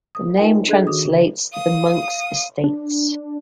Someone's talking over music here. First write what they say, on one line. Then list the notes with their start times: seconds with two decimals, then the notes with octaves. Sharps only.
The name translates "the monks' estates".
0.15 D#6
0.37 D#4 F4 A#4 D#5 G5 G#5
0.68 D4 G#4 A4 D#5 F#6 G#6
0.87 D#3 F#4 D6 D#6
1.05 C#3
1.53 F5 D#6
2.64 D4